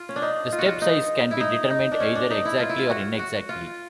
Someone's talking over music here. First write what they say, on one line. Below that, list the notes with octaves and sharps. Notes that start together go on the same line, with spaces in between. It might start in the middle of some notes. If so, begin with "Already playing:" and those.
The step size can be determined either exactly or inexactly.
Already playing: F4
C#4
D4
D#4
F4
F#4
F4
D#4
E4
D#4
D#4
D4
C#4
D4
D#4
E4
F4
E4
F4
F#4
F#4
F4